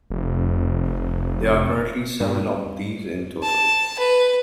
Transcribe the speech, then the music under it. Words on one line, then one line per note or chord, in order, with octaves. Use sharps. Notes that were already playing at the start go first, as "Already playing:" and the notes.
There are currently seven of these in total.
F1
G2
A5
B4